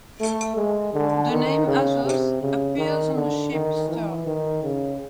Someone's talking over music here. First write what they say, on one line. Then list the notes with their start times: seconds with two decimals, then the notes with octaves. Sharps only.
The name "Azov" appears on the ship's stern.
0.21 A3
0.56 G#3
0.94 D3
1.31 D#3
1.67 C#3
2.04 C3
2.41 C#3
2.78 D#3
3.15 D3
3.52 D#3
3.89 E3
4.27 D#3
4.63 C#3